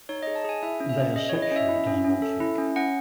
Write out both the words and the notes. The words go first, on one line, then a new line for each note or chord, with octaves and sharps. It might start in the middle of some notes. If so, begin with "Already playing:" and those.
They are sexually dimorphic.
D#4 C#5
G#4 D#5
A5
G#4 G#5
E4 E5
C#4
E5
C#4
G#4 D#5
E4 C#5
D#5
C#4 E5
E4
C#4
C#4
A4
E4
C#4
C#4 F#5